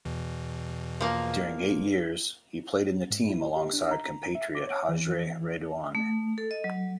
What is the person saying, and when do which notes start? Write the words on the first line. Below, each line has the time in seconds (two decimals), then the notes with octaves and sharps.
During eight years, he played in the team alongside compatriot Hajry Redouane.
0.05 E2 B2 E3
1.01 F3 A#3
3.11 G#2
3.30 E4
3.56 G4
3.74 D4
3.91 A#5
4.35 E5
4.55 D6
4.68 C#5
4.89 E3
5.95 A3
6.38 A4
6.51 D#5
6.64 F#3